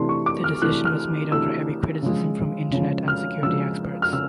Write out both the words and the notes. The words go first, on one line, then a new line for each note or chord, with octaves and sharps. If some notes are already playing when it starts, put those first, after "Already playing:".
The decision was made under heavy criticism from Internet and security experts.
Already playing: C3 E3 A3 D4 C6
C#6
D6
F6
C3 E3 A3 D4 F#6
F6
C3 E3 A3 D4 E6
C#3 F3 G#3
C#3 F3 G#3
F6
C#3 F3 G#3 E6
F6
C#3 E6